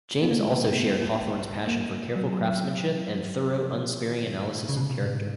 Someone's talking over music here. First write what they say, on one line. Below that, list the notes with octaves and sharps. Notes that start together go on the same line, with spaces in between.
James also shared Hawthorne's passion for careful craftmanship and thorough, unsparing analysis of character.
B3
A#3
G#3
A#3
B3
A#3
A#3
F#3
F3
D#3
C#3
C#3
B2
C#3
B2
G#2